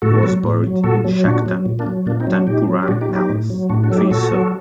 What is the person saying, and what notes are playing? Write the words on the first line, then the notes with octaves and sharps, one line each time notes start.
He was buried in Shakthan Thampuran Palace, Thrissur.
A2 F#4 A4
F#3
A2
F#3
A#2 F#4 A4
F#3
A#2 D4 F#4
F#3
A#2
A#3 D4
F#3
A#2 A#3 D4
C4 D#4
F#3
D4 F#4
A#2 D#4 G4
F#3
G4
A#2 D4 F#4
D#4 G4
F#3
D#4 G4
A2
F#3
A2 D4 F#4
D4 F#4
F#3 A4
D#4 G4
A#2 F#4 A4
F#3